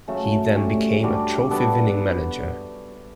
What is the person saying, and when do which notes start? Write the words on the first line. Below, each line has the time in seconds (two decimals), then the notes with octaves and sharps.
He then became a trophy-winning manager.
0.08 C#3 F#3 A3
0.55 A2 G3 C#4
1.03 G3 D4 F#4
1.50 G3 B3 D4 A4